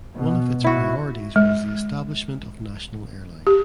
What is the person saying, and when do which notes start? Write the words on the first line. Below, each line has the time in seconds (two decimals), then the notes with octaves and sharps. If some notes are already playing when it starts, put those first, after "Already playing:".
One of its priorities was the establishment of national airline.
0.16 B2
0.64 E4 F#4
1.36 G#3
3.47 G4